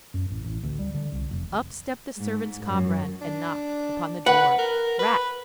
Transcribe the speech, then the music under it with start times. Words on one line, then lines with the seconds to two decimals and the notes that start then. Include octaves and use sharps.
Up stepped the servant's comrade and knocked upon the door--rap!
0.14 F#2
0.30 A1
0.44 A1
0.63 D2
0.79 G3
0.94 D3
1.12 C2
1.31 F1
2.17 G#2
2.62 F#2
3.21 D4
4.26 B4 F#5
4.59 A#4
4.99 B4